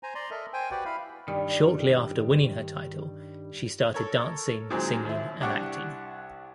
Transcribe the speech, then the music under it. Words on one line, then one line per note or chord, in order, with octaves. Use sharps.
Shortly after winning her title, she started dancing, singing and acting.
C5 G#5 A#5
D5 A#5 C6
A4 A#4 D#5 E5
C5 G5 G#5
F#4 G4 B4 D5 F#5 G5
E4 F5 B5
G2 D#3 G3
A4 A#4 C#5
A#2 D#3 F#3 G#3 C4 G#4
D#2 E4
C2 D4 G4 F#5 C#6 D6